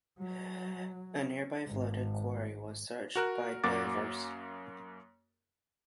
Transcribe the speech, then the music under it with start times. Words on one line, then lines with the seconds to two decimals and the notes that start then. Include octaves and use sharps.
A nearby flooded quarry was searched by divers.
0.18 F#3
1.67 G#1
3.16 F#4 A#4 F#6
3.64 F#2 A#3 F#4 D6 A6